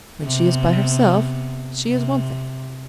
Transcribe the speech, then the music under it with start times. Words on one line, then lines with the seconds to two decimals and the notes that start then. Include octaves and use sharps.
When she is by herself, she is one thing.
0.22 C3 B3
1.87 C3